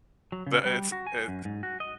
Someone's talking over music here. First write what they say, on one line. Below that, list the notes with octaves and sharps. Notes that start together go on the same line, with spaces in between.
the it's it
F#3
C#3
G3
F#4
G#5
F#2
G#2
F#4
D#5